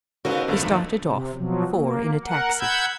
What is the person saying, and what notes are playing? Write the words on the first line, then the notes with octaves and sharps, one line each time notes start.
We started off--four in a taxi.
C#3 B3 D#4 F#4 A#4 C5 D#5
E2 G2 D3 F3 A3
A#3 D#4
C3
B2 F3 F#3
A#3
A#4 F#5
F#5 B5 E6 G6 G#6